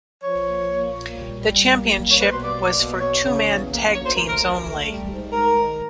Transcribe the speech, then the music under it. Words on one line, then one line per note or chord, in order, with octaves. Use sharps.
The championship was for two-man tag teams only.
F3 C#5
A#3
A#3
A#2
G3
G3
A#3
G3
A#3 C#5
B4
B2 C5
D5
A#3
B2
E2 C#5
C#3
E2
A#3
D2 C#5
C5
A3 A#4
A#4
D2
A3
G3
G#2
G#2 A#4
D#3